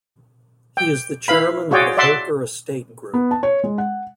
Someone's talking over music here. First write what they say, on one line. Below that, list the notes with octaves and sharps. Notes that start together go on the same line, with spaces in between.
He is the Chairman of the Holker Estate Group.
G5
E4 B4 F5 B5
F4 F#4 G#4 C#5 D5 G5
D5 E5 F#5 C6
B3
A5
C#5
G#3
F#5